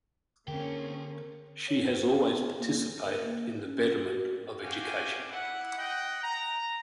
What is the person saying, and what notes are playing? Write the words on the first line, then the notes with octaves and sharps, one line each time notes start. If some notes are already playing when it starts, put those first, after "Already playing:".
She has always participated in the betterment of education.
D3 A#3 C4 C#4 G#4 A#4 G5
C#5
C5
B3
A#3
A#4
A#3
C#4
F#4
F#4 F5 G5 G#5 D6
E4 F#5
D#5 F#5 G5
A#5